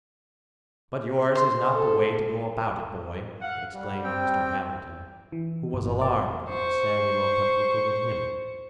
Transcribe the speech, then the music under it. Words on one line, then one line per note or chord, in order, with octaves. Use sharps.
"But yours is not the way to go about it, boy!" exclaimed Mr. Hamerton--who was alarmed because Samuel kept looking at him.
C5
A4
F5 F#5
G3
C4 G5
E3
G1
D5
C5 C#6